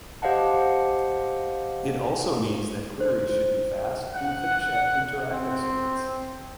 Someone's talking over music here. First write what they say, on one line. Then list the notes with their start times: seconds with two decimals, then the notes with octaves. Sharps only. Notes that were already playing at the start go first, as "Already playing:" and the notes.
It also means that queries should be fast and finish at interactive speeds.
0.22 G4 C5 D#5 F5 F#5 A5
3.00 C5
4.13 F#5
5.30 C4